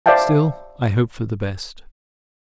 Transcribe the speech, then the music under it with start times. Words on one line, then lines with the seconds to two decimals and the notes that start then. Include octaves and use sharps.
Still I hope for the best.
0.06 C5 D5 E5 F5 G5 A5